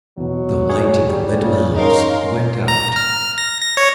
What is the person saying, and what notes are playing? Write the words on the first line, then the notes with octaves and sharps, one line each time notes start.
The light in the little house went out.
E2 B2 F#3
G#4 C#5
G3
C#3
C#4 D#4 A#4 F5 C6
A#5
F6
A#6
A#6
C#5